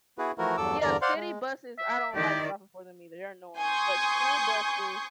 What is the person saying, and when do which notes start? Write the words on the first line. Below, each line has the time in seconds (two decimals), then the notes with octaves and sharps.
Yeah, city buses, I don't like stopping for them either. They're annoying, but school buses
0.18 B3 E4 F#4 G#4 B4
0.38 E3 F3 A3 E4 F#4 A#4
0.57 E2 G2 F#3 A4 D6 E6
0.82 E2 G2 D3 A#4 D5 A#5
1.02 C5 D5 F5 F#5 C6
1.16 G#3
1.78 E5
2.15 D#3 E4 G4 D5
3.56 G#5 C6 C#6 D#6 G6